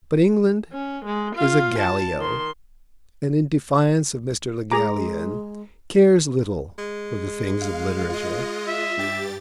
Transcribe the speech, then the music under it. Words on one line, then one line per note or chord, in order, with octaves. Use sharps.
But England is a Gallio, and in defiance of Mr. Le Gallienne, cares little for the things of literature.
C#4
G#3
F4 F5
A5
D#3 C6
G#3 G#4 A#5 D6
G#3
F5
F4 D#5
E5
G2 G4 A6